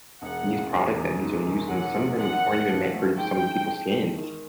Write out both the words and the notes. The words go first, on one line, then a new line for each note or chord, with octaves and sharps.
these products that these are using, some of them aren't even meant for some of people's skins.
E1 F#5
C#3
E1
E2
G#2
D#3
F#3 F#5
A#1
D#2 F#5
D#2
F3
A3
G#2 G5
G#2
G#2
G#2
D#3